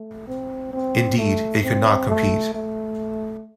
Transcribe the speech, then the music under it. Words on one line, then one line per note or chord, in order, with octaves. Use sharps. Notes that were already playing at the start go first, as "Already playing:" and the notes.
Indeed, it could not compete.
Already playing: A3
C4
C4
A3
C4
A3
A3